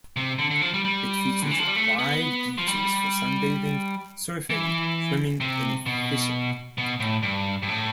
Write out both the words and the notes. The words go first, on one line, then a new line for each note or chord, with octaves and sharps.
It features wide beaches for sunbathing, surfing, swimming, and fishing.
C3
D3
D3
F3
G3
G3
D3
E3
F3
G3
A3
B3
F3
G3
E3
C3
B2
B2
A2
G2
G2
A2